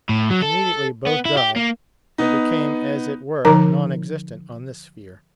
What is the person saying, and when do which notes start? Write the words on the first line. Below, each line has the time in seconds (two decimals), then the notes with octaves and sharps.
Immediately both dived, and became as it were non-existent on this sphere.
0.09 A2
0.30 F#3
0.42 A4
1.07 B3
1.25 E4
1.37 G4
1.56 A#3
2.18 B3 D#4
3.45 D3 F3 D#4 A#4 A#5